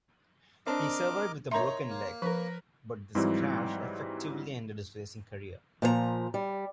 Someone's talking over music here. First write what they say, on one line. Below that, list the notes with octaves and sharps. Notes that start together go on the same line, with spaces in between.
He survived with a broken leg, but this crash effectively ended his racing career.
C4 D4 A#4 D#5 D6
D#4 A#4 C#5 E5 A#5 C6
A#3
F3 A#4 B4
G#2 E3 F#3 G3 C4 E4
A#2 F3 B4 A#5
G3